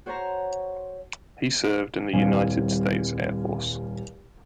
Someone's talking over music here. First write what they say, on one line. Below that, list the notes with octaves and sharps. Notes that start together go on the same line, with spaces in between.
He served in the United States Air Force.
F#4 C5 C#5 A5 A#5
D#1 C2 G3 C4 F5 G#5